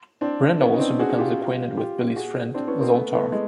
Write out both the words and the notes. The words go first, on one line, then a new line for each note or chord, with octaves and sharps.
Brenda also becomes acquainted with Billy's friend, Zoltar.
C4 D4
B3 C#4
D#4
C4 D4
F#4 G#4
F4 G4
F4 G4
F#4 G#4
C4 D4
B3 C#4
A#3 C4
A3 B3
A3 B3
G#3